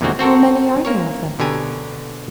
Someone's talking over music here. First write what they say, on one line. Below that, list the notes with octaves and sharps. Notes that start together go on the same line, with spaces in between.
"How many are there of them?"
E2 A#2 D3 G#3 C4 F#4
C4 F#4 A4 A#4
A#3 A#4 C#5
B2 D3 G4 G#5 A#5